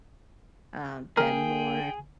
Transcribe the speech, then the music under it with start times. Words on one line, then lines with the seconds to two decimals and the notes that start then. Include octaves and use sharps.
uh, them more
1.17 A#3 G#4 A#4 G5